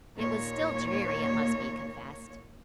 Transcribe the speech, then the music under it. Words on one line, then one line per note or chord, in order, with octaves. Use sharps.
It was still dreary, it must be confessed.
D#2 A#2 A#3 C#5